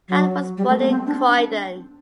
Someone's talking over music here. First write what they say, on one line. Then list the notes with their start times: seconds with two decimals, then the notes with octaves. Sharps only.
Hudd was born in Croydon.
0.09 F#3
0.57 G3
0.68 A3
0.80 B3
0.90 C4
1.07 D4